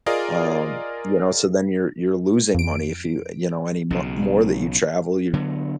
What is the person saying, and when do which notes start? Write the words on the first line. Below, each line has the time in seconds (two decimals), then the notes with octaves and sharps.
um, you know? So then you're you're losing money if you you know, any mo more that you travel, you're
0.06 F4 G#4 A#4 D5 D#5 F5
2.54 F2 D7
3.90 B1 C#3
5.34 D3 F#3 B3